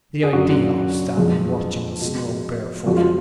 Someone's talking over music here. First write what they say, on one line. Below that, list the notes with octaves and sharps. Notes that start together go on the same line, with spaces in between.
"The idea of standing watch in the snow barefoot!"
G#4
F#2 D3 F#3 F#4
F2 F3 G#3 G#4
B2 G#3
F2 F3 G#3 F#4
F4